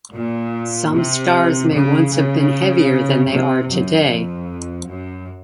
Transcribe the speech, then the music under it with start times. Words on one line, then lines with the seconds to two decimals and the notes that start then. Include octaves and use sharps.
Some stars may once have been heavier than they are today.
0.15 A#2
0.94 C3
1.73 C#3
2.13 C#3
3.31 C3
3.70 F#2
4.10 F2
4.88 F#2